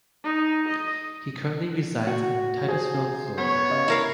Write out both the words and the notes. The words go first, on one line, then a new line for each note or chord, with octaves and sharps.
He currently resides in Titusville, Florida.
D#4
D#5
F#4
G#4 C5
B3 C#5
C#3 G4 D#5
E4 A#4 F5